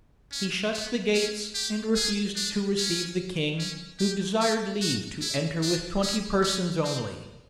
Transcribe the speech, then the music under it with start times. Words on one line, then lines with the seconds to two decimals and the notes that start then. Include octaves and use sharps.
He shut the gates, and refused to receive the king, who desired leave to enter with twenty persons only.
0.32 C#4
0.73 B3
1.14 C#4
1.55 G4
1.95 G#4
2.36 D4
2.77 C#4
3.59 C#4
3.99 G4
4.41 G4
4.81 F#4
5.21 E4
5.62 D4
6.03 C#4
6.43 C#4
6.84 C4